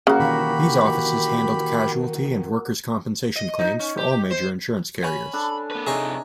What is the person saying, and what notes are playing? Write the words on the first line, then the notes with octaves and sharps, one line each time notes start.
These offices handled casualty and workers' compensation claims for all major insurance carriers.
C#3 A#3 F#4
B2 D#3 E3 G4 B5
D#5
D#4
C#4
G4
C5
C#4 B5
D4 A4
A#3 B4
C3 D#4 G#4 C#5 D#5 E5 A#5